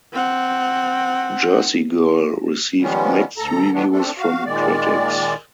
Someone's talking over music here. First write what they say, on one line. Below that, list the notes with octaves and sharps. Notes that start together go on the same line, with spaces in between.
"Jersey Girl" received mixed reviews from critics.
C4 F#5
D#3 F3 G3 G#3 B3 C#4
D2 A4 A#5
D#3 E3 F#3 A3 B3 D4
A3 C4 D4 A4
F#4 F5
A#2 D#3 G#3 D5